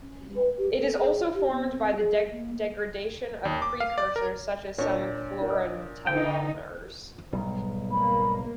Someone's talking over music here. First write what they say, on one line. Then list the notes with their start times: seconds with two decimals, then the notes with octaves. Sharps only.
It is also formed by the degradation of precursors such as some fluorotelomers.
0.02 C#4
0.35 B4
0.57 G4
0.76 A4
0.96 G#4
1.35 G4
1.50 B3
1.69 C4
1.96 G#4
2.31 A#3
3.45 D#2
3.62 D6
3.80 F5
3.98 D5
4.16 A#4
4.78 A#2 D4 C#5
6.07 D3 D#4 G5
7.33 B1 G#2 G3
7.91 A#3 B5